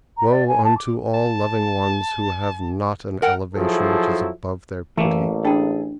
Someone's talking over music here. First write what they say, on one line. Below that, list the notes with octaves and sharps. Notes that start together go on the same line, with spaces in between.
Woe unto all loving ones who have not an elevation which is above their pity!
A#5
D5
G#5
A5
D6
A5
A#4 F#5 G5
F3 F#3 E4 G#4 A4
A1 E3 A3 A#3
D4 G#4 A4 G5